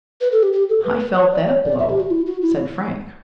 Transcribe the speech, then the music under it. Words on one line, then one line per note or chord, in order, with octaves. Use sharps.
"I felt that blow," said Frank.
B4
A4
G4
G4
A4
B4
C#5
D5
C#5
D5
E5
G4
F#4
E4
F#4
E4